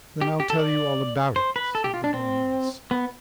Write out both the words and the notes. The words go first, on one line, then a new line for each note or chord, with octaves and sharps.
"Then I will tell you all about it," said the Dormouse.
G4
G4
A4
D5
C5
B4
A4
G4
F4
D4
C4
B3